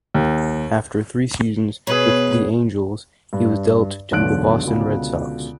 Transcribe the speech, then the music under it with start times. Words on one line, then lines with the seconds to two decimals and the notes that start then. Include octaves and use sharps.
After three seasons with the Angels, he was dealt to the Boston Red Sox.
0.14 D#2
1.87 B2 G#4 B4 C#5
3.33 G2
4.11 E1 B1 D3 F#6 D7
4.64 C#2 B2 D3